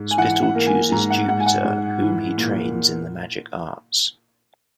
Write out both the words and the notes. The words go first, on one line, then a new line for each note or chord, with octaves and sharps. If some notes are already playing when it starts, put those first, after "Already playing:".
Spittle chooses Jupiter, whom he trains in the magic arts.
Already playing: G#2
G#5
E3 F#5
F#5
A#3
G#5
G#2 A#5
F#5
G#2 F#5
G#5
F#5
G#2
E3
A#2